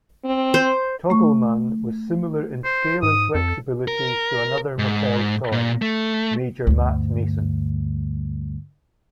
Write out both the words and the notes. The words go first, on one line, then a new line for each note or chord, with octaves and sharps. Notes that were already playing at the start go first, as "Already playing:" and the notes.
Tog'lman was similar in scale and flexibility to another Mattel toy, Major Matt Mason.
C4
C5
A3 C#6
C5
G#2 D#6
F2 A4
A#4
G#2
A#2
A3
D2 G2